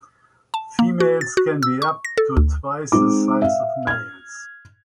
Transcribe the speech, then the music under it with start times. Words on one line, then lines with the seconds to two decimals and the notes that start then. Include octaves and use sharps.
Females can be up to twice the size of males.
0.54 A5
0.79 A#3
1.00 F#4
1.21 A6
1.37 F#4
1.63 E6
1.82 C#6
2.05 A#6
2.18 A4
2.37 D2
2.92 G#3 C4 D#4 D6
3.42 E5 F5
3.87 F6 G#6